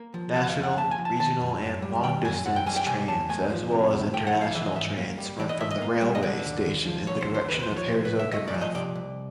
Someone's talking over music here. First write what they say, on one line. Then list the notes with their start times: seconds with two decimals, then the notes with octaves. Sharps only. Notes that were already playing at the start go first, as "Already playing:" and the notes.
National, regional and long distance trains as well as international trains run from the railway station in the direction of Herzogenrath.
Already playing: A#3
0.14 F3
0.35 C#3 F#5
0.49 F5
0.56 F2
0.63 F#5
0.77 A#3 A5
0.91 G#5
0.98 F3
1.05 A5
1.19 D#3 A5
1.41 F#2
1.62 F#2
1.82 G3
2.03 D#3 G5
2.25 F#2 G#5
2.46 F#2 F#5
2.56 G5
2.66 G3 G#5
2.76 G5
2.87 C3 G#5
3.08 E2 A5
3.29 A3 G#5
3.50 F3
3.71 C3
3.92 E2
4.14 A3 G5
4.27 F#5
4.35 F3
4.41 F5
4.55 E3 E5
4.66 D#5
4.76 G#2 E5
4.98 A#3
5.18 G3
5.39 E3 D5
5.49 D#5
5.60 G#2 E5
5.71 D#5
5.82 A#3
6.02 G3
6.15 D#5
6.23 D3 D5
6.44 D#2
6.65 D#2
6.86 F3
7.07 D3 C#5
7.21 C5
7.28 D#2
7.35 C5
7.49 D#2 B4
7.59 B4
7.63 C5
7.70 F3
7.77 C#5
7.91 C3 C5
8.05 B4
8.12 C2
8.19 E5
8.33 A3 D#5
8.48 D5
8.54 F3
8.61 D#5
8.75 C3 D5
8.95 C2